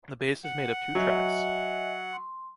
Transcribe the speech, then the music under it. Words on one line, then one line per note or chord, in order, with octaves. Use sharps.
The base is made of two tracks.
F#5
F#3 D#5 E5 G#5
C6